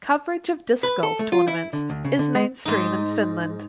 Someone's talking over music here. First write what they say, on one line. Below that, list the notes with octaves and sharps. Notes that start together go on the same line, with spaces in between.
Coverage of disc golf tournaments is mainstream in Finland.
B4
A4
A3
F4
E4
D3
D2
C#3
D3
G#3
G#2 D#4